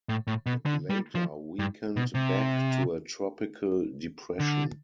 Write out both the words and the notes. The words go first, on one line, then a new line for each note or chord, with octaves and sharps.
It later weakened back to a tropical depression.
A2
A2
B2
D3
G3
F3
G2
B2
C3
D3